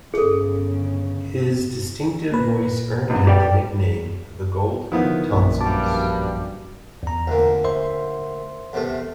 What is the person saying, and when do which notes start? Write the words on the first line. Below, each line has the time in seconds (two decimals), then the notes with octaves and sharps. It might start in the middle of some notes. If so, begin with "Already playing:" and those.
His distinctive voice earned him the nickname "the Golden Tonsils".
0.14 G1 C#3 G#4 A4
2.32 A#2 B4
3.10 C#2 F#3
3.27 G4 D5 G5
4.92 D#3 F3 B3 E4
5.32 A#1 F#2
5.61 G2 G3 F#4 A5 D6
7.03 E2 A#5
7.27 D2 A#2
7.64 C5 E5 C6
8.73 E2 C3 A3